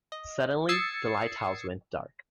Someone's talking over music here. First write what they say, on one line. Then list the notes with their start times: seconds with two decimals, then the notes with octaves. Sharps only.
Suddenly, the lighthouse went dark.
0.12 D#5
0.69 D#6 E6 G#6 A6 C7 C#7